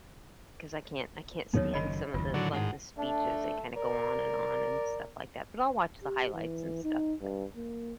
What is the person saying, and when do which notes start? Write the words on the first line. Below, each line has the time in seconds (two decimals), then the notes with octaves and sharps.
'cause I can't I can't stand some of the, like, the speeches. They kinda go on and on and stuff like that. But I'll watch the highlights and stuff, but,
1.54 D#2 F#3 B3 D#4 A4 C#5
1.74 F#1 F#2 D#3 D#5 B5
2.14 F#1 D#2 F4
2.34 A2 D3 D#3 F#3
2.53 G#2 D#4 F#5 A5
2.98 A3 D4
3.77 A#4 D5
6.03 G4
6.33 E3
6.83 D#4
7.21 G2
7.56 A#3